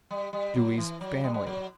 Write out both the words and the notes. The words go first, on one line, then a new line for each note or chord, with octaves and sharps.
Dewey's family.
G3
G3
F#3
E3
F#3
G3
G3
F#3